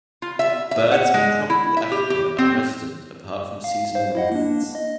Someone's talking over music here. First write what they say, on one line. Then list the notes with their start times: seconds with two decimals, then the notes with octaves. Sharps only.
Birds in tropical Africa are resident apart from seasonal movements.
0.22 F4
0.39 E5
0.71 E5
0.91 F#5
1.14 G#3
1.50 E4
1.77 E5
1.92 G4
2.10 G4
2.38 C4
3.64 F5
3.95 C5 F5
4.15 E4 D#5 F#5
4.32 A#3 D4
4.75 D#5